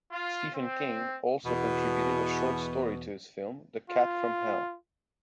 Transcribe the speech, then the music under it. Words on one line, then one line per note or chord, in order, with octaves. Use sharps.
Stephen King also contributed a short story to this film, "The Cat From Hell".
F4
C4
E2 B2
F4